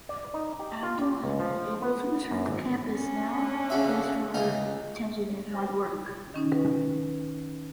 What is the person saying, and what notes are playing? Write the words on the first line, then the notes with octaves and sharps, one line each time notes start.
Abdul hamid able to return campus now place for her attention and hard work.
D5
D#4
G4
F4
G4
C#2
F3
B3
F#2
G#1
C#4 D4
C#3 F#4 E5
C#2 D#4 F4
D#3 C#4 D#4
B4